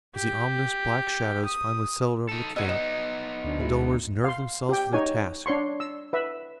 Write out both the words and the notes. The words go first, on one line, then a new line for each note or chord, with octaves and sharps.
As the ominous black shadows finally settled over the camp, the Delawares nerved themselves for their task.
G4
D#6
D#4 A4
B3 D#4 F#4 D#5 E6 G#6
D#5 E7
D2 D4
G#3 E4 F#4
F5 C6
G4 G5
D#4 C#5 G#5
D4 C#5 C6 C#6
E6
B4 E5